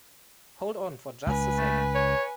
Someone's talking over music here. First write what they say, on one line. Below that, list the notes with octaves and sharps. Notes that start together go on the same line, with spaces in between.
Hold on for just a second.
C#2 B4 G#5
A3
C#5